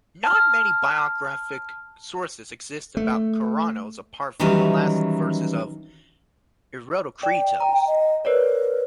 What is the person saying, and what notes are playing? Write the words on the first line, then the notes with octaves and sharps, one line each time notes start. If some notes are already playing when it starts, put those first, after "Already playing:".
Not many biographic sources exist about Kornaros apart from the last verses of "Erotokritos".
A5 F6
A3
D#3 E3 F#3 G3 C#4 D#4
D5 G5
A#5
D#5
A#4 B4 C#5 D5